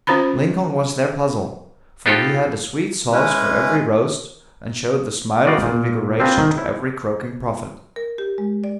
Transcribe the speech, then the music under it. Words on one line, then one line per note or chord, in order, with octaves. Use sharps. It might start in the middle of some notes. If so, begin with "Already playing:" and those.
Lincoln was their puzzle; for he had a sweet sauce for every "roast," and showed the smile of invigoration to every croaking prophet.
C#4 F4 C5 A#5 B5
B3 D#4 F4 G4 A4
G#3 C#4 E4 B4
F#4 B4 D5 D#5 F5 G5
A#2
C4 D4 F4 G#4 A#4 B4
D#3
E4
A#4
G4
G#3
D5